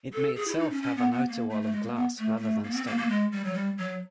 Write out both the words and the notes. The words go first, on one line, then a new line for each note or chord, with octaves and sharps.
It may itself have an outer wall of glass rather than stone.
A4
G#4
E4
D#4
C#4
C#4
B3
B3
A#3
A3
A3
G#3
A#3
B3
A3
A#3
A3
A#3
B3
C4
A#3
A#3
G#3
G3
F#3
G3
F#3